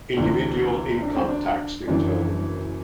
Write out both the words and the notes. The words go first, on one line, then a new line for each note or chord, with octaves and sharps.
Individual Income Tax Return.
D2 C3 E3 D4
D4
C4
D4
F#1 F#2 E3 D4